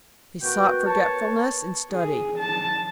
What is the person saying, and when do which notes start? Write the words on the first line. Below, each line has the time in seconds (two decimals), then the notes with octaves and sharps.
He sought forgetfulness in study.
0.42 B3 F#4 A#4 G5
0.86 C#5 A5
1.92 G#4
2.39 A5